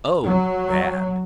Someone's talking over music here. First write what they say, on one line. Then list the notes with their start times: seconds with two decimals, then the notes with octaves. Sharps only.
"Oh! Bad!"
0.24 F#3